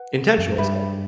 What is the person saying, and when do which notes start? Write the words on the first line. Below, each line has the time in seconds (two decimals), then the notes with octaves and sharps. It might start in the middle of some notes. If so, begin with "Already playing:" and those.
Intentionally so
Already playing: B4 F#5
0.38 F#2
0.58 G2 G4 B4 E5 B5